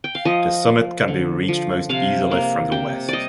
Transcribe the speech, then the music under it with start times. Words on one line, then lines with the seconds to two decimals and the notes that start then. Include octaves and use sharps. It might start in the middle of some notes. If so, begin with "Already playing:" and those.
The summit can be reached most easily from the west.
0.04 G5
0.15 F5
0.25 F3 D#5
0.66 F3
1.08 D3
1.48 F3
1.89 C3 F5
2.31 A#3
2.72 C3 G5
3.09 G3 D5 D#5